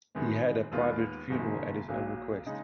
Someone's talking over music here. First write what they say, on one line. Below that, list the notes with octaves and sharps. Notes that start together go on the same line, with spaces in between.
He had a private funeral at his own request.
F#2 D#3 G#3 B3
D#2 D#3 G#3 B3 F4
F#1 F#2 D#3 A#3
B1 A#2 F#3
C#3 G#3 D#4